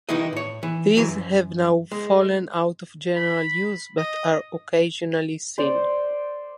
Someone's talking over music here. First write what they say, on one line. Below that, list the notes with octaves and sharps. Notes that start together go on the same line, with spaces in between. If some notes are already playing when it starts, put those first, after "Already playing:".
These have now fallen out of general use, but are occasionally seen.
C2 D#3 E3 D#4 E4 D#5
A2 C#5
E3
E3 F#3
F#2
G#3
B5
D#5
C5 D5